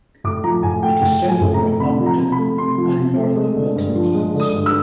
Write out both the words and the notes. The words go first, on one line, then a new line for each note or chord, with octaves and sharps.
It is south of Northampton and north of Milton Keynes.
A2 D6
F3 A#5
A2 G#5
A3 G5
A2 G5
F3
G#5
A2
A#5
A3
C3 B5
F3
A#5
C3
B5
A3
C3 C6
F3
C3
A3
G#3
D3
G2
F3
G#3
D3
D#6
G2
E6